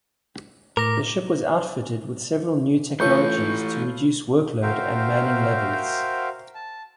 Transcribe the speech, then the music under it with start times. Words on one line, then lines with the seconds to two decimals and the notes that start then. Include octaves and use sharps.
The ship was outfitted with several new technologies to reduce workload and manning levels.
0.77 A2 A#4 D6 A#6
3.00 E3 A3 F4 A4 B4 C#5 C#6 G6
4.62 F#4 A#4 C5 E5 F5 G5
6.55 A5